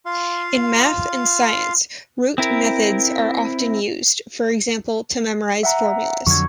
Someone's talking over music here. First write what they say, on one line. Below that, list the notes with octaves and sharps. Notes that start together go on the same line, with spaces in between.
In math and science, rote methods are often used, for example to memorize formulas.
F4 F5 C6
C4 E4 A#4
E5 F#5 A#5
F2 D3 F#3 C#6 G#6